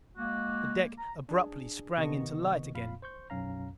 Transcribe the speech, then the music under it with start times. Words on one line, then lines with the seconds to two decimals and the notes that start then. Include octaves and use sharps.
The deck abruptly sprang into light again.
0.17 G#3 A#3 F#4
0.98 A#5
1.29 D4 G#4
1.98 C3 D#3 B3 D#5 C#6
2.74 F2 A#2 F5 B5
3.02 C5 C#6 G6
3.30 B1 F#2 C#4 F5 A#5